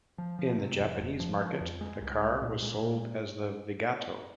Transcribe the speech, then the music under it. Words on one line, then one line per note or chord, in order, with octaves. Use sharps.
In the Japanese market, the car was sold as the Vigato.
F3
F3
C3
F2
F1
F3
F3
F2
G#3
C2
C2
A#2
G#3
A#2